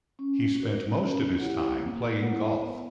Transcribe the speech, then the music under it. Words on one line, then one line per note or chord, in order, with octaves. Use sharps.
He spent most of his time playing golf.
C#4
F#4 A#4
C#4
E4 G4 C#5 F#5
A#3
E4 A#4 C#5 F#5
B3